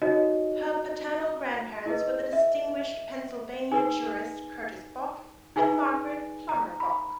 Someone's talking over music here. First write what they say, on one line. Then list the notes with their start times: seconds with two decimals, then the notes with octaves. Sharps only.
Her paternal grandparents were the distinguished Pennsylvania jurist Curtis Bok, and Margaret Plummer Bok.
0.02 D#4 F#4 C#5 D#5
1.86 E4 G#4 B4 D#5
2.33 E5
3.71 D#4 G#4 B4 G#5
5.56 D#4 G#4 B4 G#5
6.49 A#5
6.80 B5